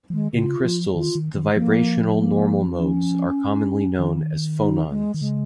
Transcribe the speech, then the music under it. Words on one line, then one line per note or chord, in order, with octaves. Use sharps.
In crystals, the vibrational normal modes are commonly known as phonons.
F3
D#3 G#3
C#3 F4
F3
D#3 F4
D#3
D#3
F3 A#3
A#3
C#4
D#3
D#4
G#3
D#3
C#3 G#3